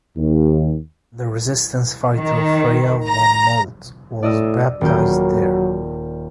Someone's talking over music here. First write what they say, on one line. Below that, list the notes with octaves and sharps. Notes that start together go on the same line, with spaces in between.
The Resistance fighter Freya von Moltke was baptised there.
D#2
D#3
A#5
A2 D5 D#5 E6
D#1 F#3 A#3 G6